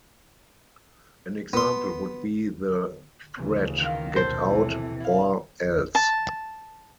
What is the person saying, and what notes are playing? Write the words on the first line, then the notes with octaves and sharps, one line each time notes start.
An example would be the threat Get out, or else-!
B3 C6
D2 C#3 E3
D#3 A#3 F4
A#1 D#2 B2 A4 C5
C3 E3
E4 F5
A5